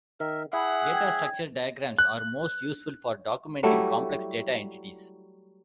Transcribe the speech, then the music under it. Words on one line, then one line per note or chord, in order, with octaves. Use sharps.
Data structure diagrams are most useful for documenting complex data entities.
D#3 A#4 E5
E4 G#4 E5 F#5
G5 G#6
F#6
F#3 G3 A3 E4